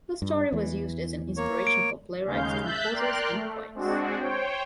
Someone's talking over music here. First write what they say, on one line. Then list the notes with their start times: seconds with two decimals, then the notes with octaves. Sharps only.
Her story was used as an inspiration for playwrights, composers and poets.
0.22 G2
0.52 E2 E3
1.37 A#3 C#5
1.67 D7
2.24 D#2 C#3 G#3 F5 G6
2.61 E5 F#6 G6 A6 B6
2.90 A#4 D5 G5 C6 F6 F#6
3.31 A3
3.74 G#3 C4 D4 F#4
4.17 C5 C#5 G5